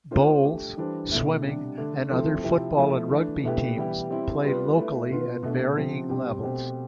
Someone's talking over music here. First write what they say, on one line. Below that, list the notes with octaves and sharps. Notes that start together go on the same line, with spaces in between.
Bowls, swimming and other football and rugby teams play locally at varying levels.
A3 D4 F4 A4 C5
A3 D4 G4
E3 G3 D4 A4 C5
B2 A3 E4
C3 G3 D4
D3 A3 D4
F3 A3 C4 E4 A4
C3 F3 C4 E4
F3 A3 E4
E3 A3 D4
B2 A3 E4 G4 B4
E3 G3 B3 E4 G4
G3 C4 E4
G3 B3 F4 B4
A3 E4 B4
B2 B3 F4
B2 A3 D4
C3 F3 C4
B2 G3 C4 G4
B2 A3 C4 G4 C5